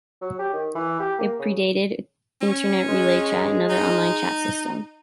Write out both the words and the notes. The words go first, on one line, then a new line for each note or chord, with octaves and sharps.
It predated Internet Relay Chat and other online chat systems.
F#3
G4
D#3
E3
G4
A#3
C#3
C#4
G#3
D#4